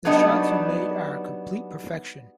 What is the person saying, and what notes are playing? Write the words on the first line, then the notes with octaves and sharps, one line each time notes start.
The shots you made are complete perfection.
F#3 G3 B3 D4 D#4 D#5